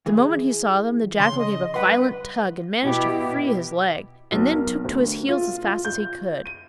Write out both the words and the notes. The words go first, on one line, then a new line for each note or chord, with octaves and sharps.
The moment he saw them, the jackal gave a violent tug, and managed to free his leg, and then took to his heels as fast as he could.
E3 G#4
C#3 C6
D#5
G2 B4 F#5 C6
B2 E4 G4
B1
A#4
D2
F4
F4
G6
D#7